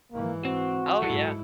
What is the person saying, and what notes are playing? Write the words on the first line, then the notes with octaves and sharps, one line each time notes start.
Oh, yeah.
G#2 E3 A#3
C4 F#4
G#2 F#3 E4 A4